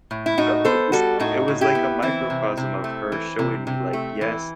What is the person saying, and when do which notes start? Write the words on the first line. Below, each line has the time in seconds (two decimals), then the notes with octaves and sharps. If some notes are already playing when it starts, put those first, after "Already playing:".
No, it was it was, like, a microcosm of her showing me, like, "Yes,
0.11 A2
0.26 E4
0.38 A2 D#4 F#4
0.65 B3 A4 C5
0.92 G3 F#4 A4
1.20 A2 D#4 F#4
1.48 A2
1.61 E4 G4
1.75 B3
2.02 E3 C4 E4
2.30 C3
2.57 C3
2.84 A3
3.12 E3
3.39 C3
3.67 C3
3.93 A3
4.21 E3